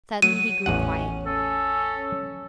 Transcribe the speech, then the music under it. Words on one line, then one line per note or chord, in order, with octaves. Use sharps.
Suddenly he grew quiet.
F#3 D#7
A1 E2 C#4 F#5
C#4 A4